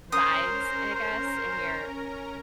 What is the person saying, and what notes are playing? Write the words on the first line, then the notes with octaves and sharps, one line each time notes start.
vibes, I guess, in your
C#4 A#4 C5 A#5 D#6
C5